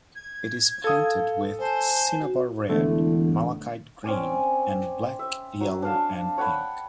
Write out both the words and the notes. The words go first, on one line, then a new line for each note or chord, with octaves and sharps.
It is painted with cinnabar red, malachite green, and black, yellow, and pink.
G#6
A4 F5 D#6
C5 G#5 A5
F#4
E1 D3 E3 A3
C4 C#4 D5 G#5
E5
F#3
D4 F5 A5
C#5 F#5 G5 B5